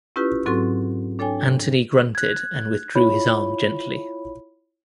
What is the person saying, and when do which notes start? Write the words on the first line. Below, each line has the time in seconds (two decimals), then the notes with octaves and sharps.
Anthony grunted and withdrew his arm gently.
0.16 C#4 E4 F4 G4 B4
0.46 G#2 F#3 C4 F#4 A4 C#6
1.19 D4 A4 C#5 G5 G#5
2.15 F#6 G#6
2.95 E4 F4 C#5 B5